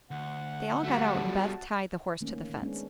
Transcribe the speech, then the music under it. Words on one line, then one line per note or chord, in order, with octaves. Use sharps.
They all got out and Beth tied the horse to the fence.
D2 F#5
G3 A3 F#4 A5
D#3 A3 A#3 C#4
D#3
G#3 B3 C#4 D4